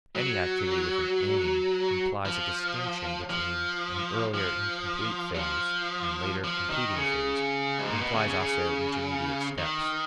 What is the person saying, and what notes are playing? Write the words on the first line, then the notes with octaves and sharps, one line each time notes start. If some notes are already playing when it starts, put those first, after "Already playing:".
Any activity with an aim implies a distinction between an earlier incomplete phase and later completing phase; it implies also intermediate steps.
F#3
F3
F3
F3
F#3
F3
F3
D#3
C#3
G#2
A#2
B2
C#3
C#3
C#3
D#3